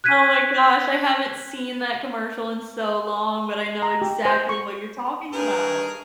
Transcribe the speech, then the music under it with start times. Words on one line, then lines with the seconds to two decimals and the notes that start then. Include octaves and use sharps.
Oh my gosh! I haven't seen that commercial in so long, but I know exactly what you're talking about.
0.04 F#6 G#6 B6 D#7
3.82 A#5
4.02 G4
4.25 C5
4.49 C#6
5.33 G2 G#4 A#4 B4